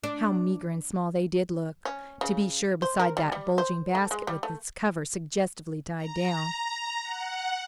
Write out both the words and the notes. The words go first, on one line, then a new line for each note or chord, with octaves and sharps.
How meagre and small they did look, to be sure, beside that bulgy basket with its cover suggestively tied down.
D4
C#4
C#3
C5
A#4
G3
G3
C5
A3
G#3
G3
A3
A#5
F#5